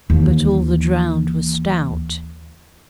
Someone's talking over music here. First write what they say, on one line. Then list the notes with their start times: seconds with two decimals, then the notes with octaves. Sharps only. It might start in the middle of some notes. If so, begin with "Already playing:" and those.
But all the drowned were stout.
0.10 D#2 E3